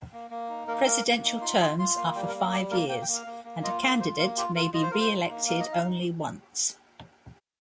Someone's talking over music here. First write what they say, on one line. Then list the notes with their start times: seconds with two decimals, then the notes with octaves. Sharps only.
Presidential terms are for five years, and a candidate may be re-elected only once.
0.13 A#3
0.30 A#3
0.49 D#4
0.68 A#3 A#4
0.86 A#3 A#4
1.05 A#3
1.24 D#4
1.42 F4 C6
1.60 F4 D#6
1.79 F4 C6
1.97 A#3 C6
2.15 G3 G5
2.28 A#4
2.34 A#3
2.40 A#4
2.52 G3 G4
2.71 A#3 A#4
2.89 A#3 G5
3.02 G5
3.08 A#3
3.14 F5
3.27 A#3
3.45 A#3
3.63 F4 D#5
3.82 A#3 F5
4.00 F4 C5
4.19 A#3 A#4
4.37 F4 G4
4.56 F4 A#4
4.74 F4 D#5
4.83 C5
4.91 F4 A#4
5.00 C5
5.11 D#4
5.29 A#3
5.48 D#4 F5
5.60 D#5
5.67 D#4
5.72 F5
5.84 D#4